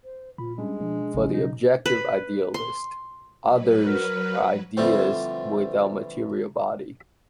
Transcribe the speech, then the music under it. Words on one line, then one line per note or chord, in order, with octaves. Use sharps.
For the objective idealist, others are ideas without material body.
C5
A#2 F4 B5
G3 G#3 C#4 D4
B2 F3 D4
A1 C#3 F#3 C#4
B2 D#4
B4
C6
F#3 B4
A#4
D3 E3 F3 G3 A3 C4